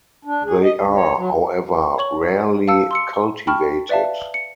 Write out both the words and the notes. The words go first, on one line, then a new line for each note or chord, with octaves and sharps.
They are, however, rarely cultivated.
D4
G#4
D#5
D2
C#5
F#3
C#5 C#6 F#7
F5 A5 E6 C#7
C6 E6 C#7
G5 A5 B5 C#6 F6
B4 D5 E5 F5 A5
C#7